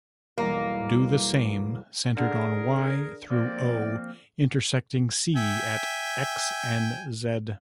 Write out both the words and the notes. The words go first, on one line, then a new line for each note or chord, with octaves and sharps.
Do the same centred on Y through O, intersecting C at X and Z.
B1 E2 G3 A#3
D3 G#4 A#4
F3 A#3 C4 D5
E5 G5 G#5